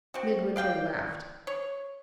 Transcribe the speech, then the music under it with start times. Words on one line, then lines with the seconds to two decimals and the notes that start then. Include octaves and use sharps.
Midwinter laughed.
0.14 C4 F#4
0.56 D5 F5 G5
1.47 C#5